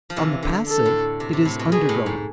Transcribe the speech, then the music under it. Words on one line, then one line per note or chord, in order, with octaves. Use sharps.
On the passive, it is undergoing.
F3
C3 E3
D3
A4
A2
C3
C3
A2
B2
B2 G#4
A2
G#2